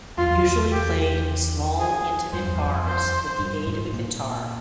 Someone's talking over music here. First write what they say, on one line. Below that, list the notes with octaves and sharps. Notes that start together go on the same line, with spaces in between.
Usually played in small, intimate bars with the aid of a guitar.
F2 F4
E2
E2
G4
G#4
G2 C5
F2
E2
F2
C5
G2
G#2
A#2